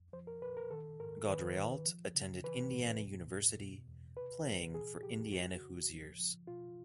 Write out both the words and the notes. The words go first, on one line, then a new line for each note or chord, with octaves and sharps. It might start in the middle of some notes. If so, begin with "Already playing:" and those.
Gaudreault attended Indiana University playing for Indiana Hoosiers.
Already playing: F2
F3 C5
A#4
A#2 B4
A#4
D#3 A4
G#2 A#4
D#3 B4
D#3
F3
C#3
E3 B4
A2
B2
E2
B2
E2
C3 B4
E3
A#2 G#4
F3 G4
F2 F#4
C#3
F3
F3
B2 F4